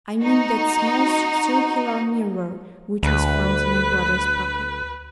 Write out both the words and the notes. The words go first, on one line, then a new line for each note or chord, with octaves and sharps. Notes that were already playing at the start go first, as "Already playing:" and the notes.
I mean that small, circular mirror which was found in my brother's pocket.
D#4 F#4
D2 B4